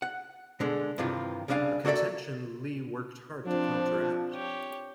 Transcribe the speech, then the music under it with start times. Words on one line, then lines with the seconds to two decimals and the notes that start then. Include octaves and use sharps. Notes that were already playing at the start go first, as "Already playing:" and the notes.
A contention Lee worked hard to counteract.
0.02 F#5
0.60 B2 D3 G#3
0.98 G2 C3 D#3 E3 F4
1.48 C2 C#3 G3 D4 F5 G#5
1.85 A#3 F#4 A4 D5 E5
3.46 F3 C4 D4
4.33 G4 C#5